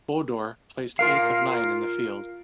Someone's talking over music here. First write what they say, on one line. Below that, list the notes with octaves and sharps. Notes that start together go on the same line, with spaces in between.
Bodor placed eighth of nine in the field.
F4 A#4 F5